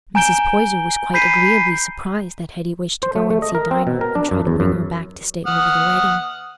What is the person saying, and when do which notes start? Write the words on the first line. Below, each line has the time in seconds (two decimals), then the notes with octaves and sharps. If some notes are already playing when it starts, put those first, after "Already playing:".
Mrs. Poyser was quite agreeably surprised that Hetty wished to go and see Dinah and try to bring her back to stay over the wedding.
0.15 G#5 A#5 G6 D7 G7
1.14 B5 G6 B6 C7 D#7
3.03 C5
3.16 A3
3.30 A3
3.42 D#5
3.55 A#4
3.71 C4
3.87 B2
4.01 A#4
4.15 D4
4.31 F#2
4.47 E2
4.60 F#2
5.47 F#5 D#6 F6